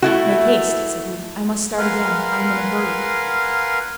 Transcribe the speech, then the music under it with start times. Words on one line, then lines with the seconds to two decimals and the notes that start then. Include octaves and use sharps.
"Make haste!" said he; "I must start again; I am in a hurry."
0.02 A3 E4 F#4
1.78 A#4 B4 F5 F#5 G#5 C6